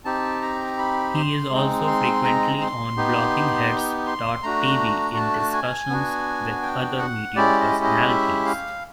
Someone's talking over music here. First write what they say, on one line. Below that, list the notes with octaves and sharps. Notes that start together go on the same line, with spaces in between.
He is also frequently on BloggingHeads dot TV in discussions with other media personalities.
C4 D#4 G4 A5
A#5
B5
C6
G#3 C4 D#4
C6
A#5
C6
B3 D#4 G4
C6
A3 D4 F#4 A#5
A5
G#5
B3 D4 F#4
G5
F#5
G#3 C#4 E4 G4 D5
D#5
D#5
E5
F5